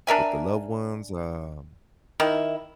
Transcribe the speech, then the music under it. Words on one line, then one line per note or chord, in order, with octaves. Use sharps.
with the loved ones, um
D4 A#4 E5 G#5
D#3 E4